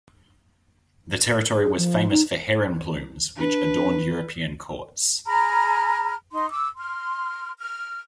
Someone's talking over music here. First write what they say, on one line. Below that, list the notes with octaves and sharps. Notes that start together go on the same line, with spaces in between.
The territory was famous for heron plumes, which adorned European courts.
G#4
F3
D#4
D4 B4
G#4 A#5 B5 F6
D#4 C6
D6 E6
C6 F6
F6